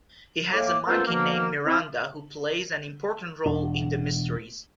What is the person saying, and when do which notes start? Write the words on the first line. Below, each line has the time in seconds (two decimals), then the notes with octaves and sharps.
He has a monkey named Miranda who plays an important role in the mysteries.
0.53 A2 A#3 D6
0.87 A#3 B3 C#4 F4 A4 C5
1.07 B2 F3 A#3
1.66 C4 E4
3.46 E1 E2 D4